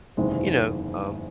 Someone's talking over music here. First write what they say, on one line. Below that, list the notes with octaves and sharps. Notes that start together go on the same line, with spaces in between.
you know, um
F#1 E2 C3 D#3 G#3